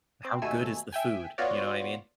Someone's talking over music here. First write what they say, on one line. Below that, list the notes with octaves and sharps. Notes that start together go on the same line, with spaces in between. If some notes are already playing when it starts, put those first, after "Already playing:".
How good is the food? You know what I mean?
C4
D#2 B2 A3 G#5 E6
E5 G5 G#5
B3 F4 F#4 C#5 D5